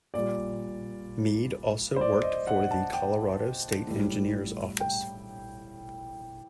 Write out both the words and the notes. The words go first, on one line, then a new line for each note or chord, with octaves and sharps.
Mead also worked for the Colorado State Engineer's Office.
A#2 G3 D5
C5
D5
D#5
F#5
A5
G5
A2 G3
G5